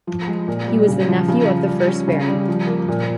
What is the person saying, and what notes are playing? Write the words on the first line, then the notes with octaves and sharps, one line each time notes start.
He was the nephew of the first Baron.
F3
G#3
A#2
G3
C#3
F3
C#3
F3
G3
C#4
C#3
G3
F3
A#3
A#2